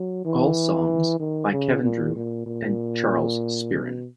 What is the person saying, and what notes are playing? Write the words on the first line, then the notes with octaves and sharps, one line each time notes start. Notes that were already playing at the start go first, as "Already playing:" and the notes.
All songs by Kevin Drew and Charles Spearin.
Already playing: F#3
E3
D#3
C#3
A#2
A#2
A#2
B2